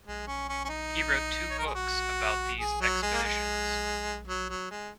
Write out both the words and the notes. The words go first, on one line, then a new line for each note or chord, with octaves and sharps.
He wrote two books about these expeditions.
G#3
C#4
C#4
C#4
D#4
C#5
A#4
G#4
F#4
G#4
F#3
G#3
A#3
G#3
F#3
F#3
G#3